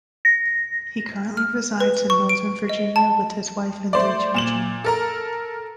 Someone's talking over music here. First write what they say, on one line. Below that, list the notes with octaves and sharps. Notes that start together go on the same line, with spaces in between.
He currently resides in Northern Virginia with his wife and three children.
A#6
F6
B4
C#6
D7
D#5
A5
A3 C5 D5
A#2 E7 F#7
A4 A#4 A#5